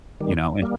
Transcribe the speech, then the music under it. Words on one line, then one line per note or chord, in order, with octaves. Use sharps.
you know, an
D#3 G3
G3 A#3